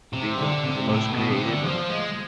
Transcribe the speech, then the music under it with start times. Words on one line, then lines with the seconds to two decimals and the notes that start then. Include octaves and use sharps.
to be the the most creative, and,
0.13 C3
0.38 D3
0.63 C3
0.88 A2
1.13 B2
1.30 C3
1.46 D3
1.64 F3
1.89 G#3